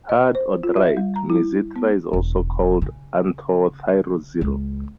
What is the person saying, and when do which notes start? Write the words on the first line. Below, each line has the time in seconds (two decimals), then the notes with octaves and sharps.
Hard or dried mizithra is also called "anthotyro xero".
0.09 D#5
0.35 C5
0.63 F4
0.76 E5
0.97 G3
1.16 A#5
1.30 E4
1.76 B3
2.13 E1
2.82 C#3
4.41 C#2